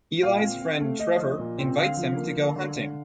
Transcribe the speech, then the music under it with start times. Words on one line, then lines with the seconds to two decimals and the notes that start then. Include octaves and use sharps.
Eli’s friend Trevor invites him to go hunting.
0.22 A#2 F5
0.41 C4
0.61 C4
0.81 A3
1.00 A3 D#5
1.19 F3
1.39 A#2
1.58 C4
1.77 D3 F5
1.97 F3
2.16 A#3
2.36 D3
2.56 D3
2.76 D3